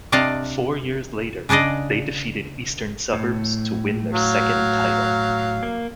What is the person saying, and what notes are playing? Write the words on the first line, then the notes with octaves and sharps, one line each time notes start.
Four years later they defeated Eastern Suburbs to win their second title.
C3 D4 D5 D#5 F5 A5
C#3 D4 G#4 D5 D#5
A2
F#3 F5
A#3